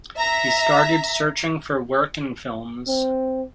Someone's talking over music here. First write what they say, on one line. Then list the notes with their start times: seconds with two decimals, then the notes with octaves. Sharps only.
He started searchimg for work in films.
0.17 E5 A#5 B6
2.88 C4